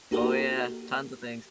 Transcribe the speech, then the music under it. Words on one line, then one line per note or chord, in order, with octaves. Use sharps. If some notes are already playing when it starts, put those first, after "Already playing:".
Oh, yeah. Tons of things.
A#3 D#4 F#4 G4 A4 A#4